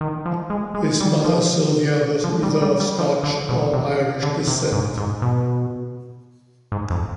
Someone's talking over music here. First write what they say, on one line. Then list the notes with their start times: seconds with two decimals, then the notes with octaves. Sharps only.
His mother Sylvia was either of Scotch or Irish descent.
0.01 D#3
0.25 F3
0.50 G#3
0.74 G#3
1.00 G3
1.24 F3
2.24 F3
2.43 G3
2.62 G3
2.80 G3
2.99 F3
3.23 D3
3.49 B2
3.73 C3
4.23 D3
4.47 C3
4.72 G#2
4.97 G#2
5.22 B2
6.72 G#2
6.90 F2